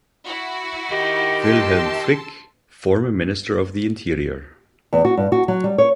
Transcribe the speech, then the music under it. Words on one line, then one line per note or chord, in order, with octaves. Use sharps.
Wilhelm Frick, former Minister of the Interior.
E4 F#4
D#3 G4 D#5
A5 C6 E6
E2
F#4
G2
F#4
F#3
G3
C#5